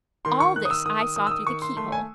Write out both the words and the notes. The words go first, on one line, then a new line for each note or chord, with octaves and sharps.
All this I saw through the key-hole.
D#3 C6
C#6
D#3 F#6
D#6
E6
D#3 D#6
D#6
D#3 D#6
E6
D#6
D#3 C#6
C6
A3 C6
G#5